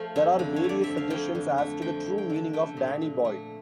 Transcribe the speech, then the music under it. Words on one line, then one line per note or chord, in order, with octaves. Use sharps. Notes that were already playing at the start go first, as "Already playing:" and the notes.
There are various suggestions as to the true meaning of "Danny Boy".
Already playing: F3 A3 F5 G5
F2
D3
C#5
A3
D5
F3 E5
F5
F2 G5
D3
A3
F3 G5
F2
G5
D3
A5
A3 G5
A#2
A#2
A3